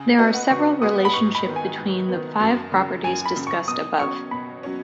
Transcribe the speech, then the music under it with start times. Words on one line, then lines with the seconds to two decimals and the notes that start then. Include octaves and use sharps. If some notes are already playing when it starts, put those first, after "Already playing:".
There are several relationship between the five properties discussed above.
Already playing: C#3 G#5
0.18 B3 F#4 B4 D#5
0.34 F#5
0.50 C#3 C#6
0.82 B3 F#4 B4 D#6
1.05 B5
1.14 G#2 C#6
1.35 B5
1.46 D#3 B3
1.56 G#5
1.77 G#2
2.09 D#3 B3
2.40 F#2
2.72 C#3 F#3
3.04 F#2 G#5
3.26 B5
3.36 C#3 F#3
3.47 C#6
3.68 B2 D#6
4.00 F#3 C#4 C#6
4.31 B2 B5
4.63 F#3 C#4